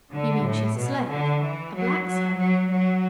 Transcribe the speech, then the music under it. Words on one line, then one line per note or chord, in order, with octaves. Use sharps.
"You mean she is a slave--a black slave?"
D3
A2
B2
D3
E3
F#3
F#3
F#3
F#3